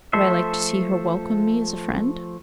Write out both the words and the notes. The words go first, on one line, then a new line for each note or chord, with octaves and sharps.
Would I like to see her welcome me as a friend?
F3 A3 A4 C5 E5